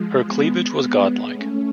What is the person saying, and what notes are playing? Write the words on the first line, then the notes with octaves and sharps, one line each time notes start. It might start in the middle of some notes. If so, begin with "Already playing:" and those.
Her cleavage was godlike.
Already playing: F3 G#3
G#3 B3
A3 C#4